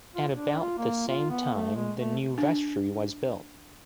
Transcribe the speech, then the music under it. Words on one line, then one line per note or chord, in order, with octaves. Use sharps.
At about the same time, the new vestry was built.
F4
D4
F4
A#3
F4
B3
A3
G#3
A3
D4